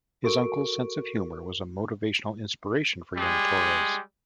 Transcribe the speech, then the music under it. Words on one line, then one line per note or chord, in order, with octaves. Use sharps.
His uncle's sense of humor was a motivational inspiration for young Torres.
F#4 A4 A#4 C#6 D7
G3 G#3